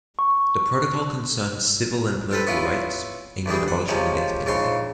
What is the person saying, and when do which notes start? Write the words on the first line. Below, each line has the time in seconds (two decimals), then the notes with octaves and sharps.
The protocol concerned civil and political rights aimed at abolishing the death penalty.
0.19 C#6
2.31 C4 A4 B4
2.47 B3 C#4 E4 F4
3.46 D2 E3 G3 G#4
3.68 F#5
3.89 C#2 C3 F3 C#4
4.46 A#1 G#2 C#3 C#5 C6